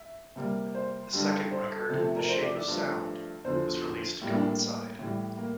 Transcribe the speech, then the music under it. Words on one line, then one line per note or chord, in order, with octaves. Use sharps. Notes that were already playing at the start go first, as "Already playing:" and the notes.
A second record "The Shape of Sound" was released to coincide.
Already playing: E5
C3 G3 A#3
C5
G2 D3 G3
C5
A4
C3 F3 A3 A4
A4
A#4
C5
D5
D5
G2 F3 A3
E2 D3 F3 C5
A2 G3 A#3 E4
D4
A2 E3 G3
A#3